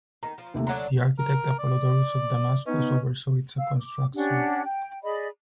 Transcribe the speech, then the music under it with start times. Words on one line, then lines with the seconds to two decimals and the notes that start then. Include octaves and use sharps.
The architect Apollodorus of Damascus oversaw its construction.
0.23 D#3 A#5
0.38 F3
0.54 D#2 C3 A3
0.67 D3 F#3 D4 A#5
1.18 A#4
1.59 D5
2.67 B3 C#4 D#4
3.58 F5 E6
3.80 D6
4.14 C#4 D4 G4 F#5
4.64 G5
5.03 G#4 D5 D#5 B5